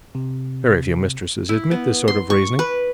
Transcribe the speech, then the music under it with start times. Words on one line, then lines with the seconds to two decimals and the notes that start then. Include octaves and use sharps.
Very few mistresses admit this sort of reasoning.
0.15 C3
1.49 E4
1.71 B3
2.08 C6
2.30 C#6
2.59 B4